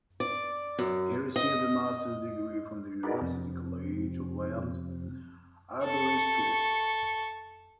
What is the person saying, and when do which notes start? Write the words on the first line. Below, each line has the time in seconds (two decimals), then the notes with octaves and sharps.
He received a Master's degree from the University College of Wales, Aberystwyth.
0.20 D5
0.79 F#2
1.36 D#5
3.03 D#4 F#4 G#4 A#4 B4 D5
3.22 F2 C3
5.84 A4 C#6